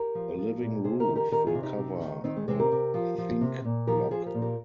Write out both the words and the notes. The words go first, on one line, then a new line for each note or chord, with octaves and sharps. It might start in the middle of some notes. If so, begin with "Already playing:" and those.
A Living Roof will cover the Think Block.
Already playing: G4 A#4
F3
F3
A#2
C3 G#4 C5
G4 A#4
D#3
G4 A#4
D#3 G4 A#4
F4 G#4
C3
D#4 G4
C3
D#3
D#3 C4 D#4
G#3
C3 G#3 C4
G4 A#4
C3
F3
F3
C3
A#2
F3 G4 A#4
F3 G#4 C5
G4 A#4
A#2
G4 A#4